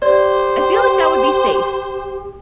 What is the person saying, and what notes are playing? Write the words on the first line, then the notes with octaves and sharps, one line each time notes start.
I feel like that would be safe.
G4 C5 D5